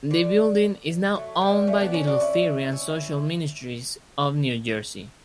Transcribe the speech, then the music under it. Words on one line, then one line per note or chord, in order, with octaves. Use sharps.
The building is now owned by the Lutheran Social Ministries of New Jersey.
D3
F#3 A3
G3 B3
A3 C#4
B3 D4
C#4 E4
D4 F#4
C#4 E4
C#4 E4